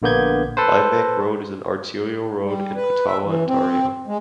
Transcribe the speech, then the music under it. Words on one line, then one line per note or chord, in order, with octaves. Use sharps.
Limebank Road is an Arterial road in Ottawa, Ontario.
A#1 D3 A#3 B3 G6 G#6
A4 B4 C5
G3
B4
E5
E3
C4
G#3